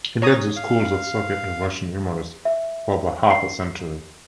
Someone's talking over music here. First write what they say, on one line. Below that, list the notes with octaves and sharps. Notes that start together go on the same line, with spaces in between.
He led the school of Soviet and Russian humorists for about half a century.
C#5 A#5 D#6
F5
E5
C7